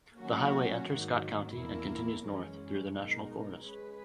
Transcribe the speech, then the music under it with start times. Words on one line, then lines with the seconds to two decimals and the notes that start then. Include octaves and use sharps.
The highway enters Scott County and continues north through the national forest.
0.18 D#3 F#3 A#3 C#4 F#4
0.88 G#2 D#3 F#3 A#3
1.56 E2 B2 A#3 E4 A#4
2.25 F#2 E3 G#3 C#4
2.95 B2 G#3 D#4 A#4
3.64 G#3 C#4 G#4 B4